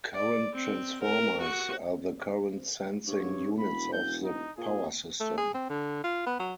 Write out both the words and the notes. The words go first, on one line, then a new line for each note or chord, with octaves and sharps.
Current transformers are the current sensing units of the power system.
D5
C4
A#4
F#4
G2 C#5
E1 B5
G6
D#4
A#2 G#4
A3
G#4
C4
D3
F4
B3
F#3